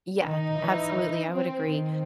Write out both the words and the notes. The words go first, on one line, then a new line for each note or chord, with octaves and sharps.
Yeah. Absolutely. I would agree.
D#3 D#4
E3
C4
D#3 C4